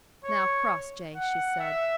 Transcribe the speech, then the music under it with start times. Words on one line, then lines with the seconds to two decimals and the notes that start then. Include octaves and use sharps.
"Now, Crossjay," she said.
0.24 C#5
1.15 F#5
1.60 E5